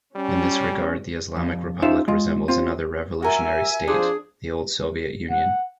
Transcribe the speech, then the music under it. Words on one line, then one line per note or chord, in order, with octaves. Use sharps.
In this regard the Islamic Republic resembles another revolutionary state, the old Soviet Union.
G3 C#4
F2
C#4 D#4 F4 C5 E5
G#3 F4
C4 F4
F#4 A#4 E5 G#5
F2 D4 F4 G#4 C5
F#5